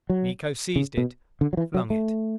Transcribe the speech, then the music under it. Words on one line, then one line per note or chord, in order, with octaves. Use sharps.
Miko seized it: flung it.
F#3
C#3
B2
D3
F#3
E3
F#3
A3